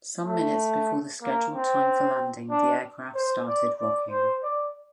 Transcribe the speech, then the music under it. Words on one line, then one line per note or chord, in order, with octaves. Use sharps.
Some minutes before the scheduled time for landing the aircraft started rocking.
A3
A#3
C4
D4
C5
D5
D5
C5
D5